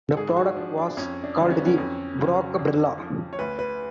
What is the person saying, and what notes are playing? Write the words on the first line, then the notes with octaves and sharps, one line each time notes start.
The product was called the Brockabrella.
A4
G#2 G#4
F#4
F3 D4
D4
F2 C#4
D4
D3 F#3
C#4
B3
C#4
F2
C#3 F#3
F2
F3
C#5
D2 B4
B4